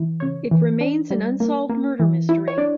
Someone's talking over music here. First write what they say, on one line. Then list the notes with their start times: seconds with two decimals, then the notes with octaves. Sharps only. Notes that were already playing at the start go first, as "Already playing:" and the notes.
It remains an unsolved murder mystery.
Already playing: E3
0.20 C#3 C#5
0.51 E3
0.81 D4
1.10 G3
1.40 A#3
1.69 A#3
2.00 E3
2.29 E4
2.48 C#5
2.58 D4 D5